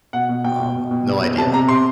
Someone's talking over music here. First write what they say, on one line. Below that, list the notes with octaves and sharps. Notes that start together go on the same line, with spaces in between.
Um, no idea.
B2 F#5
B2
B2 G5
B2
B2
B2
B2
B2
C3 A5
C3 A#5
C3 C6